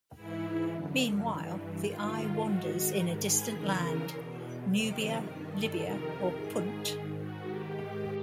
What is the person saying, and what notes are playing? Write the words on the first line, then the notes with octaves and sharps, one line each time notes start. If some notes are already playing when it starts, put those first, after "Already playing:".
Meanwhile, the Eye wanders in a distant land-Nubia, Libya, or Punt.
G#2 E3 E4
F#2 D3
G2 E3
G#2 D#3 F4
G#2 D#3 F#4
G#2 G4
D#3
G#4
E2 C#3 E3 A#4
E2 B2
F2 C3 D#3
G2 D#3 A#4
A4
F2 C3 D#3 A#4
G#2 D#3 G#4
G#2 D#3 G#4
F#4
G#2 D#3 G4